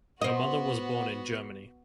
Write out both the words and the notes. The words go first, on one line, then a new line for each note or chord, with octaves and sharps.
Her mother was born in Germany.
B3 F#4 C5 D#5